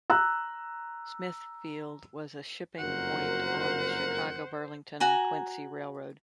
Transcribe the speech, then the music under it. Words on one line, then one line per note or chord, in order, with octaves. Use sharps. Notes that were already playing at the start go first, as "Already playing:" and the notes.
Smithfield was a shipping point on the Chicago, Burlington and Quincy Railroad.
A#5 E6 F#6
F#1 F2 F#4 A#4 C5 F#5
F#4 G#5 A#5